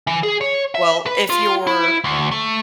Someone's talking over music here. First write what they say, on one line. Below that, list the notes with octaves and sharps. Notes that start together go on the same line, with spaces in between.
Well, if you're
E3
G#4
C#5
E5
B4
F4
E4
D2
A3